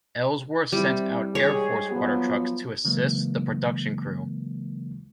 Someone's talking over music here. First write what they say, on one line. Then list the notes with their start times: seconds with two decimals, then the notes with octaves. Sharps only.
Ellsworth sent out Air Force water trucks to assist the production crew.
0.72 G3 C4 E4
1.35 G#2 G4 G#4 C#5
1.90 F3 F#3 B3
2.84 C#3 E3 F#3 G#3 A#3